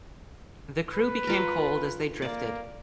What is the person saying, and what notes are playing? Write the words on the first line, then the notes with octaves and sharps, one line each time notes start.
The crew became cold as they drifted.
B4
F4 A#4
A#3 D5